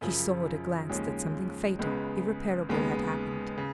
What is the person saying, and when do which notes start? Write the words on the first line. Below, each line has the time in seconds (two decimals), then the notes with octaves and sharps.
She saw at a glance that something fatal, irreparable, had happened.
0.01 F#2 C#3 F3
0.89 D#2 C#3 F3 G#3 C#4
1.79 C#2 C#3 G#3 B3
2.69 D#2 C#3 G#3 B3
3.58 C#3